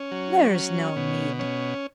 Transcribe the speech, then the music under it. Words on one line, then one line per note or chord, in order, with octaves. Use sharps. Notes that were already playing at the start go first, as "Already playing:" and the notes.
There's no need.
Already playing: C#4
F#3
C#4
B2
C#4